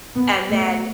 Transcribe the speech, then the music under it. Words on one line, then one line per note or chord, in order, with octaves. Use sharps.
And then
B3
A3